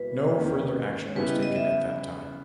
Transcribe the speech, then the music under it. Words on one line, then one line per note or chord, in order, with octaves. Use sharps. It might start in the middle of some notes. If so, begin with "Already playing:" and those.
No further action was taken at that time.
Already playing: B2 G3 A#3 E4 B4
E2 D#3 A#3 C#4
C#5
C#3 G3 B3 E4 B4
D#5
D#5
E5